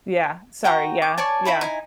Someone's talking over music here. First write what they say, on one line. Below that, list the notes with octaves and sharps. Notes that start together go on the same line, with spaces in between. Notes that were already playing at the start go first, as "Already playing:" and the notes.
Yeah. Sorry, yeah, yeah.
F#4 G5 A#5 C#6
D6
C#5 D5 G#5 A5
E4 E5 B5 C#6
D#4 E4 G#5